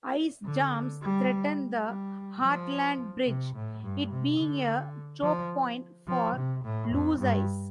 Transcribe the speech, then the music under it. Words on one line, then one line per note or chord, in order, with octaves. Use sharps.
Ice jams threaten the Hartland Bridge, it being a choke point for loose ice.
D3
G3
G3
F3
C3
A2
G2
C3
D3
F3
F3
C3
A2
F2
G2